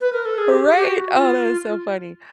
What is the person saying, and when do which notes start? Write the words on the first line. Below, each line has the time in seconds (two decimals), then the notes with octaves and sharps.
Right? Oh, that is so funny.
0.00 B4
0.13 A#4
0.25 A4
0.38 G#4
0.50 G4
0.77 G4
0.84 F#4
1.16 F4